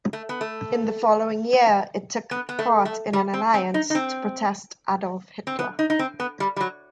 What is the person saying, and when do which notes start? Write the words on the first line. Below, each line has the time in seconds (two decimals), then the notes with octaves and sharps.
In the following year it took part in an alliance to protest Adolf Hitler.
0.13 A3
0.29 B3
0.41 A3
2.31 B3
2.49 B3
2.59 A3
2.85 A3
3.13 G3
3.33 C4
3.54 C4
3.74 D#4
3.90 D#4
3.95 C4
5.47 C4
5.59 B3
5.79 D#4
5.90 D#4
5.99 C4
6.20 B3
6.40 G3
6.56 G3
6.61 F#3